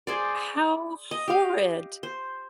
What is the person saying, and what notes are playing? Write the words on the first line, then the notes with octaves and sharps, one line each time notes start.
How horrid.
G#4 C5 D5
D#5
G4 F5
C5